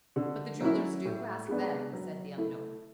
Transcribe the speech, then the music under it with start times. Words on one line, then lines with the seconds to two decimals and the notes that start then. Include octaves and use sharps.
"But the jewelers do: ask them," said the unknown.
0.16 D3
0.60 F#3 C#4 E4
1.05 A2
1.48 G#3 B3 D4
1.93 F#3
2.38 A3 E4